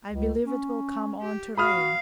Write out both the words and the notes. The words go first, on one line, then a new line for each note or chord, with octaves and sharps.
I believe it will come on to rain.
C#2
C#4
G4
F#4 F5 B5 D#6 F6